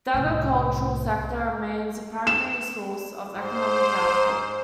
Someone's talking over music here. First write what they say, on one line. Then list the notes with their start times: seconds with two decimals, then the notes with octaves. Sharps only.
The agricultural sector remains a primary source of economic output.
0.14 C2 A2
2.27 E7
3.37 G#2 C5